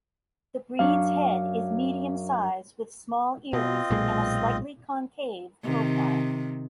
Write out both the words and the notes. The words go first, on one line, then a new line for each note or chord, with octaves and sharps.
The breed's head is medium sized with small ears and a slightly concave profile.
F#2 D4 F5 C#6
B2 C4 F4 D#5
B1 A#2 G#3
C3 D#3